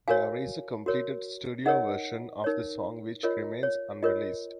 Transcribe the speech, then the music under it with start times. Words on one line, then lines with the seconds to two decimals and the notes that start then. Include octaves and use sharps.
There is a completed studio version of the song which remains unreleased.
0.08 F#4 A#4 C#5 F5 G#5
0.86 F#4 A#4 C#5
1.66 D#4 A#4 C#5 D#5 F#5
2.44 D#4 A#4 C#5
3.23 F4 A#4 C#5 D#5
3.63 C#5
4.03 F4 A#4 C#5 D#5